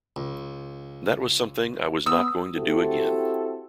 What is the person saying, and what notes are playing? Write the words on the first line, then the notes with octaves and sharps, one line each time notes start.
That was something I was not going to do again.
C#2
B3 D#6 E6
C4 E4 F#4 G4 A4